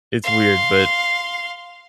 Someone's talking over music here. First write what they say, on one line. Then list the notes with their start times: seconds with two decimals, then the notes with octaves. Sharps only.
It's weird, but,
0.23 F5 C6